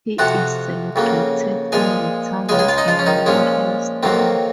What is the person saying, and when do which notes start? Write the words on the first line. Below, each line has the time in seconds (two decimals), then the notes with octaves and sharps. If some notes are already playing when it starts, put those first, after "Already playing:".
He is celebrated in the town with a memorial stone.
0.19 F2 C3 F3 F#4 F#5
0.96 F2 C#3 F#3 A#3
1.72 A#2 F3 G#3 G#4 G#5
2.49 C#2 C#3 G#3 G#4 G#5
2.59 G#4 G#5
2.68 F4 F5
2.78 D#4 D#5
2.88 F3 F4
2.99 C#4
3.06 D#3 D#4
3.26 A#2 F3 G#3 C#4
4.03 F2 D#3 F#3 A#3 C4